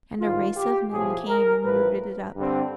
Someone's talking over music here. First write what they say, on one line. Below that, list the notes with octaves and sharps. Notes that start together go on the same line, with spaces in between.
And a race of men came and rooted it up.
A1 G#2 D#3 F4
G4
B1 A2 F3 G#4
A#4
A1 A2 F3 B4
G2 D3 G3 C4